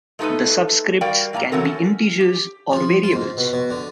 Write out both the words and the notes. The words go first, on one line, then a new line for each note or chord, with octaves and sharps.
The subscripts can be integers or variables.
G#3 A3 D#4 F#4 A4 B4
G3 F#4 A#4 D5 F5 G5
A2 A#3 G#5 A#5
D3 E3 F#3 A4 A#4
C#4
G4
F3
F4
G#2
B2
B2
D3